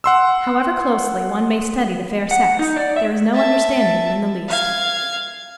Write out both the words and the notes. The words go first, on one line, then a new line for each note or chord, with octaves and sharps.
However closely one may study the fair sex, there is no understanding them in the least.
F#5 C6 E6
F#5
D#4
D5
E5
E5 A5
F5 G#6